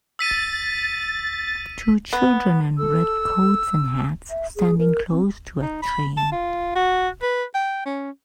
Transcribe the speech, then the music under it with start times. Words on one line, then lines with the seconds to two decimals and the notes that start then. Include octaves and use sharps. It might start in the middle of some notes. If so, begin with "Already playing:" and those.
Two children in red coats and hats standing close to a train.
0.19 E6 A6 B6 D#7
2.13 B3
2.78 A4 E6
4.30 E5
4.56 G#4
4.78 A#4
5.12 C4
5.62 D#4
5.82 B5
6.17 A5
6.32 F4
6.75 F#4
7.22 B4
7.54 G5
7.85 C#4